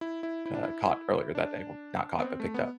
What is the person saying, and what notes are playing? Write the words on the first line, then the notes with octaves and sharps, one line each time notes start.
uh, caught earlier that day, well, not caught, but picked up.
E4
E4
E4
D4
E4
D4
B3
C4
A3
B3